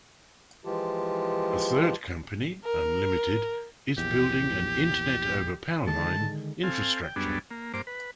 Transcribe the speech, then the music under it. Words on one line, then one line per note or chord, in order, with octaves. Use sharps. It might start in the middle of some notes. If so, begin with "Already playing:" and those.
A third company Unlimited is building an internet-over-powerline infrastructure.
E3 F3 G#3 F4 G4 A5
A#4
A#1 E2 G4
D3 D#3 G#3 A5
C4 A4 F5 G#5
G5
F#2 G3 B3 D4 G#4
A#3
G2 A#3 C5 D6
B4